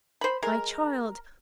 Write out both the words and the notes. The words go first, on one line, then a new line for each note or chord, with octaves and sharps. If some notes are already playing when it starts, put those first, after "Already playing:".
My child!
C5 B5
G#3 A#4